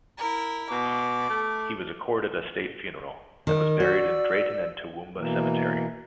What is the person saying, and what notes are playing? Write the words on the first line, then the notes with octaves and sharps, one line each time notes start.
He was accorded a State funeral, and was buried in Drayton and Toowoomba Cemetery.
E4 A#4
B2 D6
A3
D#3
F#4 D5 E6
B2 E3 A#3